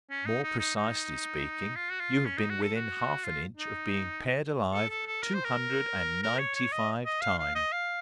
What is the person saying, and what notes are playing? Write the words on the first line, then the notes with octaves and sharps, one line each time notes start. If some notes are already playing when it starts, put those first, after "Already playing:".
"More precisely speaking, you have been within half an inch of being pared alive two hundred and ninety-five times."
C#4
D#4
D#4
D#4
D#4
F4
F#4
F4
C#4
D#4
F#4
A4
F#4
F4
D#4
A4
A4
A4
A#4
C5
A#4
A#4
C#5
C#5
D#5
D#5
F5
F5
D#5
F5